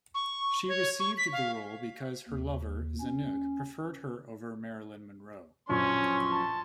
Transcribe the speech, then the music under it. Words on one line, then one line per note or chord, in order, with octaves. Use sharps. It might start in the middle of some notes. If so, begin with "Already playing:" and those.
She received the role because her lover, Zanuck, preferred her over Marilyn Monroe.
C#6
C#5
C#6
B6
F5
D#2
C#4
A#1 F#2 F3 C#4 C6 C#6
A5